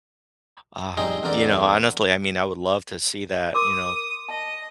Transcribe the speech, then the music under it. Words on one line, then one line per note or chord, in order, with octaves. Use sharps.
Um, you know, honestly, I mean, I would love to see that, you know,
G3 C4 D#4 G#4 D#5
E2 D3 C4 A#4 D5 G5
A#4 C6 D6 D#6
D#5 A5